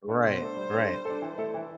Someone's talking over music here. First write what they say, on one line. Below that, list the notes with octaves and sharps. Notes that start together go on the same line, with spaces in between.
Right, right,
A3 D4 A4
B2 C5
A3 D4 A4
G3
D4 A4
G3
D4 A4
E3
A3 E4 A4
E3